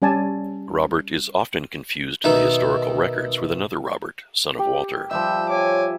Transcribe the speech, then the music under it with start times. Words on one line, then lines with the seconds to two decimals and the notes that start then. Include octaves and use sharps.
Robert is often confused in the historical records with another Robert, son of Walter.
0.02 G3 C#4 D5 G#5 A5
2.24 B2 D#3 D#4 E5 A#5
4.59 G4
5.11 F3 G3 E5 E6 G6
5.49 C#5 G#5 D6